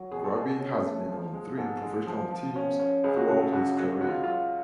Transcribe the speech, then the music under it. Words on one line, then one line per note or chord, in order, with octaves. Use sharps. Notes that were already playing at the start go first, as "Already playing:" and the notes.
Grubby has been on three professional teams throughout his career.
Already playing: F#3
B2 G#4
A4
B2 G#4
C#4
A3
F3
G#3
G#2 A4
G#3
F3
F3
C#4
C#4
C#2 G#4
F#4
C#3 F#4
A4
C#2 F#4
F#3 F#4
C#2 F#4
F4
F#3 F4